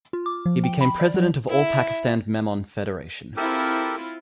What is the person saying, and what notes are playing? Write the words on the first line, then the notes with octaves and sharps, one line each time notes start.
He became President of All Pakistan Memon Federation.
F4
D6
F3
G5
B5
D5
F#3
E4 E5
C4 E4 F4 G4 A4 A#4